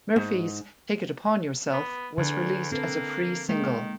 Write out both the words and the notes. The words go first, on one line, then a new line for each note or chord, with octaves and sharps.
Murphy's "Take It Upon Yourself" was released as a free single.
G#2
B3
E2 D3
A#3 C4 A4 B4
D#3 G#3 A#3